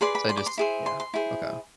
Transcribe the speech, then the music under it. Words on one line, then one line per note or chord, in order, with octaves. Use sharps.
So I just Yeah, okay. I
G#4 B4 D5 C6
B5
C6
D6
C6
E4 G#4 C5
C6
C6
E4 G#4 C5